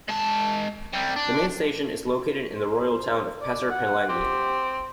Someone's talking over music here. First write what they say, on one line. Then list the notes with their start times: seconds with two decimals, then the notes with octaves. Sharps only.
The main station is located in the royal town of Pasir Pelangi.
0.08 G#3 A5
0.94 C3 G3
1.16 D4
2.55 C5
3.40 D5
3.70 F#5
4.09 C4 G4